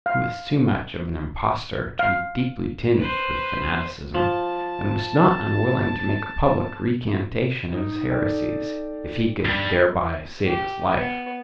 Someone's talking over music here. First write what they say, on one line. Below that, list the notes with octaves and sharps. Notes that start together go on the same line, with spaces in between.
He was too much of an impostor to be deeply tinged with fanaticism, and was not unwilling to make a public recantation of his heresies, if he could thereby save his life.
F5
F5
B4 C5
F3 A5
D#4
A4 D5 G5
G2 G3
G4
B3